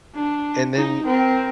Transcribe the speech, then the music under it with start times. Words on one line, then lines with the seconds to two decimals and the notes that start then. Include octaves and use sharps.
and then
0.14 D4
0.76 D#4
1.06 C4 A#4